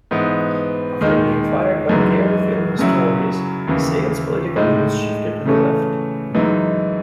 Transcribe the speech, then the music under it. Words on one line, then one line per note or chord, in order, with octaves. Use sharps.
After being fired by Gary Filmon's Tories, Sale's political views shifted to the left.
G#2 E3 B3
D#2 D#3 G#3 D#4
F#2 E3 G#3 D#4
F#2 C#3 F#3 C#4 E4
D#2 C#3 E3
A2 G#3 D#4
C#3 E3 A3 C#4
F#2 E3 G#3 D#4